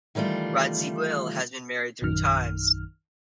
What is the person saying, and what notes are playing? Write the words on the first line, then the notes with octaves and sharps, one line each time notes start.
Radziwill has been married three times.
D#3 E3 G3 A3 F4
A#1 F#2 D#3 F6